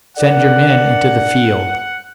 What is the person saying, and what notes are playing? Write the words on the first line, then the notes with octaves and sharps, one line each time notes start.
Send your men into the field.
D4 A#4 D5 F#5